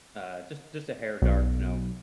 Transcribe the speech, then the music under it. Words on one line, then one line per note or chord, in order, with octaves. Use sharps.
uh just just a hair dark no.
B1